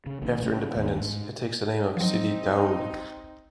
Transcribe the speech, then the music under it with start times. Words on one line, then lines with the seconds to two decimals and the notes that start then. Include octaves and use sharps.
After independence, it takes the name of Sidi Daoud.
0.06 C#3
0.22 A#1 A#2 D#3
0.42 C#3 A3
0.75 D#1 D#2 A3 B3
1.00 G#2
1.97 F3 F#3 C4 D#4